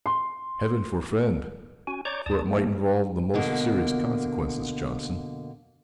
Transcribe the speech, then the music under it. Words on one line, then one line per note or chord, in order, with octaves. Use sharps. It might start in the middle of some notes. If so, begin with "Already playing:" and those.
"Heaven forfend! for it might involve the most serious consequences, Johnson."
C6
C#4 F#4 G#5
C#5 D5 A#5 C#6 D6 G6
D#2 D5 A5 D#6
F3 A3 A#3 D4
B2 D3 A#3